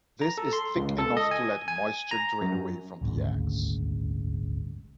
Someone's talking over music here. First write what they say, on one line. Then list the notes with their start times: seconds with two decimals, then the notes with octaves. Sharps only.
This is thick enough to let moisture drain away from the eggs.
0.21 A#5
0.38 A4
0.53 C6
0.76 C#2
0.98 A4
1.17 D#5
1.31 G#5
1.68 G#5
2.11 A#5
2.41 F#2
3.01 D#1 G#1 D2 C#3